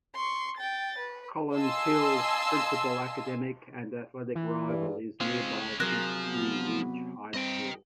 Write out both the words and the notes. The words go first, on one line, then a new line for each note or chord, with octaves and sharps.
Collins Hill's principal academic and athletic rival is nearby Peachtree Ridge High School.
C6 C#6
G5 A6
B4
D#5 F5 G#5 A5 C6 E6
E3
G2
G#3 C4 C#4 F4
C3 F3 F#3 G#4 A#4 F#6
B3
G2 C4 D#5 G5